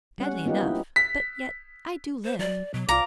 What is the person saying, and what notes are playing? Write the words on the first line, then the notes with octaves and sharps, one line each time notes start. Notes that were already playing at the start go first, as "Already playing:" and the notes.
"Badly enough; but yet I do live."
G3 C#4 F#5
A#3 B3 D#4 F4 G4
E4
B6
C5
F#3 D5
B2 F#3
C2 F4 D5 A#5 D6